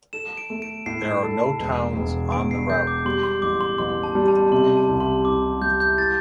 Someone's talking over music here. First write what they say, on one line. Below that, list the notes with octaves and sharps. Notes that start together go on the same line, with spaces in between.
There are no towns on the route.
A4 E7
D7
A3
D7
A2 C7
A4
E1
E1
E2 D7
C7
E2 G6
D6
G3 C6
C6
A1 D6
C6
A1 C6
A5
G3
A5
C3 C6
A5
C2
C6
C2 D6
G3 G6
G6
E4 A6